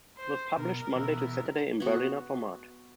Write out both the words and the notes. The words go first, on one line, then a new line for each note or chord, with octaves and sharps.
It was published Monday to Saturday in Berliner format.
C5
B2 A#4
B2 E3
B3 F#4